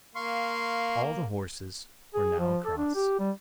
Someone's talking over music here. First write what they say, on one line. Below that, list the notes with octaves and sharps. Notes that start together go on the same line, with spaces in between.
All the horses were now across.
A#3 F5 C6 C#6
G#4
F3
A4
D4
G4
G3